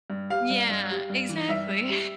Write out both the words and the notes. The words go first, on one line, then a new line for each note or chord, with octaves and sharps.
Yeah, exactly.
G2
G3 F5
G2
G2
G3
G2
E3
G2 E5
G2
G3